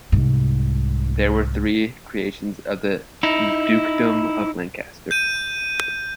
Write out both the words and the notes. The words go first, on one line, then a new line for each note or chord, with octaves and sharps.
There were three creations of the Dukedom of Lancaster.
C2 G#2
D#4 E4
G6 D#7